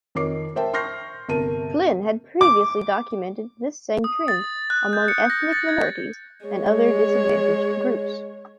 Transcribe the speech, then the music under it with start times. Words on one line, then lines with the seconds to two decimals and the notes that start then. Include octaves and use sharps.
Flynn had previously documented this same trend among ethnic minorities and other disadvantaged groups.
0.15 F2 D#3 A#4 C#5 D6 C7
0.56 A#4 C5 E5 G5 A5
0.73 C6 C#6 F6 G6 A#6 C7
1.29 G1 C3 A#4 A5 D#7
2.41 D6
4.04 D#6
4.28 A6
4.70 F#6
4.93 G6
5.08 C#7
5.30 A#6
5.53 A6
5.69 G#6
6.45 G#3 C#5